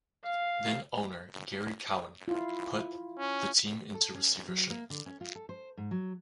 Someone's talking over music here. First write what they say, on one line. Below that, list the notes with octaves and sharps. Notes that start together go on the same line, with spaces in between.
Then owner Gary Cowan put the team into receivership.
F5
E4 F4
C#4
A4
C#4
F#3
A#3
D3
C#4
F4
A4
C5
G#2
F#3